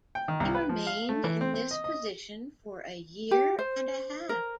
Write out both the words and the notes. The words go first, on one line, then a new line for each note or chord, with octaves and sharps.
He remained in this position for a year and a half.
G5
D#3
C2
B4
F3
F5
A3
E3
C4
C4
D#5
D#5
G4
C5
A#4